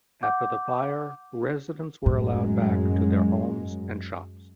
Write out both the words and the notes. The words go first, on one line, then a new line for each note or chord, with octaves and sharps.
After the fire residents were allowed back to their homes and shops.
F#5 D6 G6
F#2 A2 G#3